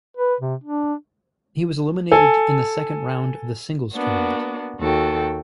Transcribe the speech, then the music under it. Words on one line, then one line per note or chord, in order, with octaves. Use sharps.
He was eliminated in the second round of the singles tournament.
B4
C3
D4
A4 G#5
A#3 B3 D4 F#4
D#2 F#4 A4 G5